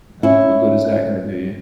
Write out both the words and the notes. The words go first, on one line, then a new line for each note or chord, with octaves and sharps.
ah, what good is that gonna do you?
C#4 E4